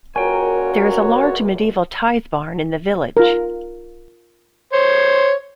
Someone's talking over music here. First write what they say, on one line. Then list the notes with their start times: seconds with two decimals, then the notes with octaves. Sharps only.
There is a large medieval tithe barn in the village.
0.16 C#2 F#2 A#2 F#4 A#4 C#5 G5 G#5
3.17 F4 A#4
4.73 C5 C#5